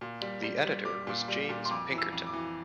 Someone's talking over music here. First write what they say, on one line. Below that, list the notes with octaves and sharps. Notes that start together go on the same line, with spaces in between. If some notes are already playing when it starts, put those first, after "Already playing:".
The editor was James Pinkerton.
A#2
G3
G3
G3
G3 D6
A#2
G3
A#2
C6
F2 D6
E3
E6
F2
D6
E3